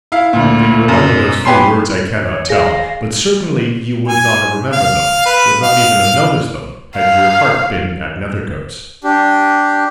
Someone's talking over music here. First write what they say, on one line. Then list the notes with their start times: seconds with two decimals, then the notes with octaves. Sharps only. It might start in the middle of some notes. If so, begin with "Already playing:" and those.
Whether you remember those few words I cannot tell; but certainly you would not have remembered them,--would not even have noticed them,--had your heart been at Nethercoats.
0.12 E4 F5
0.33 D2 A#2
0.88 F#2 B2
1.45 G4 B4 G#5 C6 C7
2.22 C#5
2.49 G#4 F5 A#6
4.08 G#5
4.72 F5
5.26 B4
5.63 F5
6.97 F5
9.04 D4 G4